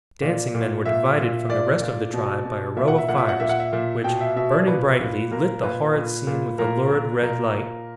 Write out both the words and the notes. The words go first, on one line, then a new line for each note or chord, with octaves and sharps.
The dancing men were divided from the rest of the tribe by a row of fires, which, burning brightly, lit the horrid scene with a lurid red light.
A#2 D5
A#2
A#2 E5
A#2
A#2 D5
A#2
B2
B2
A#2 E5
F#5
E5
A#2 F#5
E5
F#5
A#2 E5
F#5
E5
A#2
B2 G5
E5
B2 E5
D5
A#2 B4
A#2
A#2 A#4
A#2 B4
A#2
A#2
A#2 A#4
A#2
A#2 A#4
A#2